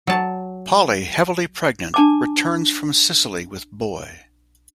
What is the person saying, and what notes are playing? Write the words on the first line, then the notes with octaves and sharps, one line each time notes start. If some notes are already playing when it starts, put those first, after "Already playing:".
Polly, heavily pregnant, returns from Sicily with Boy.
F#3 A5
D4 A5 D6